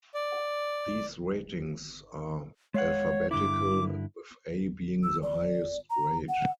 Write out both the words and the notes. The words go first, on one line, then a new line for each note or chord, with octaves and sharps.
These ratings are alphabetical, with "A" being the highest grade.
D5
G#3 C#5 F5 F#5
G2 D3 E4 D6
E6
D5
A#5
F#5